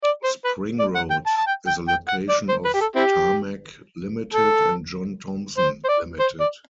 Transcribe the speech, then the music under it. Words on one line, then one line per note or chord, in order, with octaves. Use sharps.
Spring Road is the location of Tarmac Limited and John Thompson Limited.
D5
C5
B4
D5
F#5
G5
A5
A5
G5
G5
G5
F#5
D5
C5
B4
G4
A4
C4 E4 G4
A4
C5
C5
D5
C5
D5